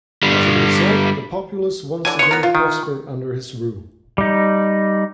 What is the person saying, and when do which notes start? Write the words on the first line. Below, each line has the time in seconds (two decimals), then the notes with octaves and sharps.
As a result, the populace once again prospered under his rule.
0.23 D3 G3
2.05 D3 E3 F#3 G#5
2.19 B3 C#5 C6
2.31 B3 A#4
2.43 F4
2.55 D#3
4.18 G3 D#4